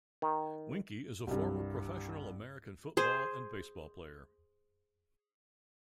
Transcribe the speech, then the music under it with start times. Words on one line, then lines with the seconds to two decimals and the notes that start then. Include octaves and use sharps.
Weinke is a former professional American football and baseball player.
0.22 D#3
1.27 C2 G2
2.97 G#4 C5